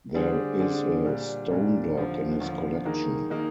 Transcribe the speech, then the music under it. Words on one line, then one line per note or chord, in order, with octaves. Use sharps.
There is a stone dog in his collection.
D3 G3 D4 G#4 C5
D3 G3 D4 G#4 C5
A#2 G3 D4
A#2 G3 D4
D#2 D3 F3
D#2 D3 F3
D#3 A#3 D#4 G#4
D#3 A#3 D#4 G#4